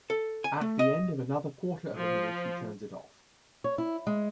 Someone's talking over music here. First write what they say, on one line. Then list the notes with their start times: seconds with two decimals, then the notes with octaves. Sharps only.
At the end of another quarter of a minute, he turns it off.
0.10 A4
0.44 G#5
0.61 A3
0.79 D#5
1.95 F3
3.64 C#5
3.78 E4
4.07 G#3